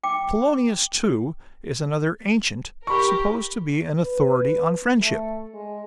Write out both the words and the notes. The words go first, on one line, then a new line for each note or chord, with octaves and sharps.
Polonius, too, is another ancient supposed to be an authority on friendship.
G5 D6
G4 A#4 B5 C#6
B4
A3
G#3